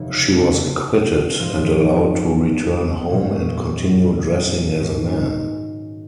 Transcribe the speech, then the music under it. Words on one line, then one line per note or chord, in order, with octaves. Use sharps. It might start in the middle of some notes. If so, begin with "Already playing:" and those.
She was acquitted and allowed to return home and continue dressing as a man.
Already playing: F1 D#2 C#3
G#1 G#2 F3 C4 D#4
A#1 A#2 F#3 C#4
G#2 D#3 G#3 C#4 F#4